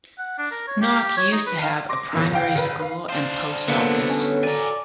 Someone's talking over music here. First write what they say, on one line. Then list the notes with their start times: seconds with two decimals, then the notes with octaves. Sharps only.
Knock used to have a primary school and post office.
0.18 F#5
0.38 D4
0.51 A#4
0.67 C#5
0.81 G4
1.17 C#5
1.32 D#4
1.47 B4
1.62 F5
1.89 C6 D6 A#6
2.13 G1 E2 A#2 D#3
2.32 F#1 F5 G5
2.55 F#1 B4
2.79 B4 F5
3.10 D4 C5 F5
3.68 D3 E3 F#3 A#3 B3 A4
4.10 C#4
4.43 A#4 D5 G#5